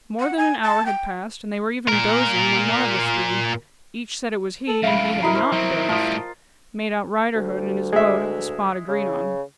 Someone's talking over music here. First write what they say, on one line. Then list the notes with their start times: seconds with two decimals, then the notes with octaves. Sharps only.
More than an hour had passed, and they were even dozing, when one of the three--each said it was he, and he had NOT dozed--made out Riderhood in his boat at the spot agreed on.
0.19 F#5
0.37 G#5
0.63 A5
0.86 G5
1.88 A#2 A#4
4.68 A4 D#7 F#7
4.83 F#2 A2 E5 F5 B5
5.23 E4 F#4 A#4 D#5 A#5 B5 C7
5.35 C5 F6
5.52 F#3 C4 E4
5.89 A2 G3 F4 A5 D#6
7.35 D2
7.92 G#3 E5
8.88 C#3